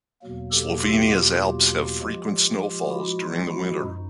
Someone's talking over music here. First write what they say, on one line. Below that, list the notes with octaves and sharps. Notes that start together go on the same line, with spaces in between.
Slovenia's Alps have frequent snowfalls during the winter.
E2 B2 F#3 A#3
G4 A4
F4 G4
F4 G4
A#2 F3 G#3
E4 F#4
D#4 F4
E4 F#4
F#2 D#4